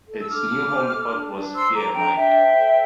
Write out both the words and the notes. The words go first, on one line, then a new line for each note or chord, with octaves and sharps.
Its new home port was Pier Mike.
A4
E6
D4 D6 F6
D4
C5
A4
D4
D4
C5 C6 E6
A4 A#5 D6
D4 G5 A#5
D4 E5 G5
C5
A4